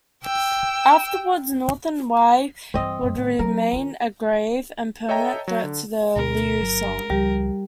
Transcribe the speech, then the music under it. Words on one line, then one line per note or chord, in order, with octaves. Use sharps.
Afterwards, Northern Wei would remain a grave and permanent threat to the Liu Song.
G5 E6
G2 E3 C4 D#5
F#2 A#2
A2 D#3
F#3 A#4
D#3 F4
A4 C#5 D#5 E5 G5 A#5
F#3
D3
D2 B2 D3 A#4
G1 C3 F#3
C#2 F3 G3 G4